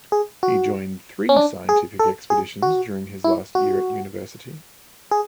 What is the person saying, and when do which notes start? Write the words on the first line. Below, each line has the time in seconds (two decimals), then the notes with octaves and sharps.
He joined three scientific expeditions during his last year at university.
0.12 G#4
0.43 F#4
1.29 C#4
1.37 D4
1.69 G#4
1.99 A4
2.30 G#4
2.62 F#4
3.24 E4
3.55 F#4
5.11 G#4